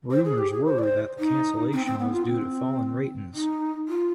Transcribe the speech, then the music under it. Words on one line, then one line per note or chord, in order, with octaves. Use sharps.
Rumours were that the cancellation was due to falling ratings.
C5
G#4
G4
G#4
C5
D5
C5
D#4
C4
C4
B3
F4
C4
D#4
F4